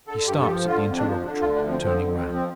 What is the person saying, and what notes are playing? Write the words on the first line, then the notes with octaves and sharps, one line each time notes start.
He starts at the interrogatory, turning round.
D3 A4
G2 G4
A4
F3 G4
D3 F4
F2
D4
F3
D3 D4
F4
D2
D4
F3 C4
D3 C4
F2
C4
F3
C4